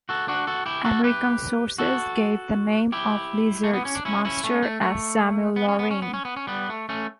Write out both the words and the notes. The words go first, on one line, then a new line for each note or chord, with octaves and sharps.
American sources gave the name of "Lizard"s master as Samuel Loring.
F#4 A4
D4 F#4
F#4 A4
E4 G4
F#4 A4
G4 B4
F#4 A4
E4 G4
A3
B3
C#4
D4
C#4 E4
C#4 E4
A3 C#4
A3
A3
B3
C#4
B3
C#4
B3
C#4
B3
C#4
G3 B3
A3
A3 C#4